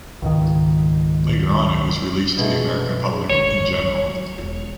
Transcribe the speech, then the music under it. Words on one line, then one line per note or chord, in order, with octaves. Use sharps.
Later on it was released to the American public in general.
C#2 G#2 D#3
B2 G#3 A3
G#1 D2 C#5
F#3
E1 F4